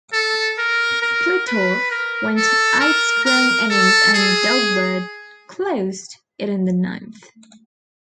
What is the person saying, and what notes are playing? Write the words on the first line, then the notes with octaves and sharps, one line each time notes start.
Splittorff went eight strong innings and Doug Bird closed it in the ninth.
A4
A#4
A#4
B4
A#4
A4
A#4
A#4
A4
G#4